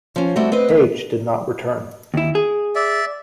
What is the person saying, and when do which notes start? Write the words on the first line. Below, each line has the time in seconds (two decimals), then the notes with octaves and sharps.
Page did not return.
0.16 F3 C#4
0.36 G3 A3 C4 E4 F#4
0.52 C4 B4 D#5
0.69 D2 B3
2.14 D#2 E4
2.35 G#4
2.75 D5 E5